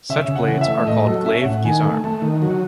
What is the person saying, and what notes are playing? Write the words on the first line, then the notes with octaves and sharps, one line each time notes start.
Such blades are called glaive-guisarmes.
C#3 E5
C#3
F#5
E3
E5
A3
A2 D#5
F#3 A4
C#4 E5
A2 F#5
D#3 G#5
A3
A3 A5
D#3
F#3